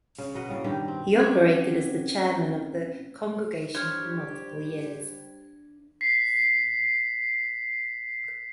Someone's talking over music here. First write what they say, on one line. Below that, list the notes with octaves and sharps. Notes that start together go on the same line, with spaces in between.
He operated as the chairman of the congregation for multiple years.
C#3
B2 A#4 D#5 F#5
A2 C#3 G3 A#3
G2 B2 D#3 G4
C4
C4 C#4 G#6
G3 D4 G4 C5 C#5 F6 G#6
B6 C7